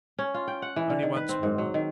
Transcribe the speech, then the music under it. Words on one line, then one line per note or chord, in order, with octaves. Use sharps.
"Only once more."
C#4
F4
G5
F#5
E3
D3
D#3
B4
C4
G#2
F#3
D#3